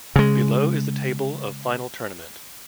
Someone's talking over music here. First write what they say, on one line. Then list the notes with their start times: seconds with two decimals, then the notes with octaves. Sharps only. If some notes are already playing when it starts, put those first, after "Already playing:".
Below is the table of Final tournament.
0.16 C#3 G#3